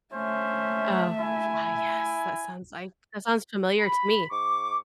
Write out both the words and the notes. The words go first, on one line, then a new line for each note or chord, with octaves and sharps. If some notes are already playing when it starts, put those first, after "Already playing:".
Oh, yeah, yes, that sounds, like that sounds familiar to me.
A3 C#4 C5 E5
E4 G#5
B5
G#2 C#6 D6